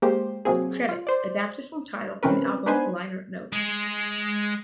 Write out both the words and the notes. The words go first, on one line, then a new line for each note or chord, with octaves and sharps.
Credits adapted from Tidal and album liner notes.
G#3 A#3 G4 C5
C3 F#3 A#3 C4 G#4
F4
C5 D5
C3 E3 C4 C#4 A#4 B4
B3 D4 D#4 B4 C5 G#5
G#3 G#4